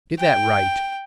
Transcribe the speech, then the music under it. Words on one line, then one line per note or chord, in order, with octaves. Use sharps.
Get that right.
G5